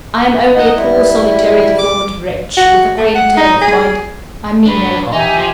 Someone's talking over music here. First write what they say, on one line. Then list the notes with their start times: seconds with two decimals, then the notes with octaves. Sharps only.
I am only a poor, solitary, deformed wretch, with a quaint turn of mind; I mean no harm.
0.55 D#4 D#5 F#5
0.75 G3 E4
1.79 D6
2.57 F#4
2.97 A3
3.15 F#5
3.37 D#4
3.62 G#4
4.65 D4 B4
5.13 D#4 G4 E5 G#5
5.36 F3